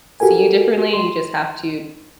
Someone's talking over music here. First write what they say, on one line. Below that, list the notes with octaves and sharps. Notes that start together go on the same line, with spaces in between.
see you differently. You just have to
F#4 G4 A4 A#4 G#5
C6